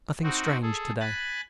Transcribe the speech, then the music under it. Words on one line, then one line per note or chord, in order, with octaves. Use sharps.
Nothing strange to day.
C4 D#4 F#4
G#4 A4
G#5 B5 F#6 A6